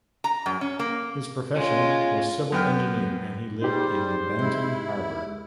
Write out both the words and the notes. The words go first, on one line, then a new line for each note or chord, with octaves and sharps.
His profession was civil engineer and he lived in Benton Harbor.
A#5
F#2
C#4
A#3
G#3 C#4 F4
F#2 B3 G5 F6
G3 D#4 G4 G#4 C5
G#3 E4